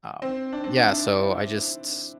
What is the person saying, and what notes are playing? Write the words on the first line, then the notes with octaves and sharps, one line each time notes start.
um, yeah, so I just
C4
D4
C4
D4
E4